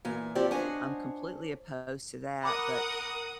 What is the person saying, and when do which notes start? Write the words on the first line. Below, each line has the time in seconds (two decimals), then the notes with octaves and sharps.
I'm completely opposed to that, but
0.05 A#2 E3 G#5
0.35 F3 C4 G4 C#5 D5 B5
0.51 D4 C5 C#5 D#5 F#5 G#5
2.43 A#4 F#5 B5 D6 D#6